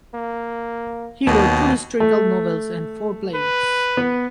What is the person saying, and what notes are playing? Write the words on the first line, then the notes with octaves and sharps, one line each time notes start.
He wrote two historical novels and four plays.
A#3
D#2 B2 D#3
A3
B4
B3